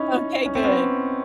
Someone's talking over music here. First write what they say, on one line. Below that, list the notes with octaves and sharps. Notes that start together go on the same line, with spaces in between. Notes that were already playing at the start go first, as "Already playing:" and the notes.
Okay, good.
Already playing: C#4 D#4 E4
C#4
C4
B3 C#4